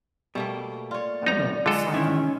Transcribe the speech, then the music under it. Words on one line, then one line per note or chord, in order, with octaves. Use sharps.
I don't know, slacking,
B2 G3 A3 A#3
F4 C#5 D5
F#2 D#4 A#5
D3 G#3 F4 A4
D#3 E3 C#4 E5